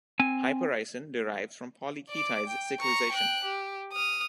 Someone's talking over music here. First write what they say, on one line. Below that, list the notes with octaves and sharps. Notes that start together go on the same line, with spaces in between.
Hypericin derives from polyketides cyclisation.
C4 G#5
D5 D6
G5
A#5 C#6
G5 F#6
G4
D#6 F6